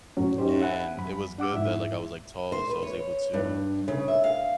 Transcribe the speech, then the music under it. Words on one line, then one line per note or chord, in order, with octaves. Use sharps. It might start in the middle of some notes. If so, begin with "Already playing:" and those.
and it was good that, like I was, like, tall, so, I was able to,
F#2 A2 F#3 C#4
C#4 D#4 G4 C5
E5 F#5 G#5 B5
F#2 B5
D4 F#5 D6 E6
G#2 E4 E5
C5
B4
C#5
G2
C#3
E5
F5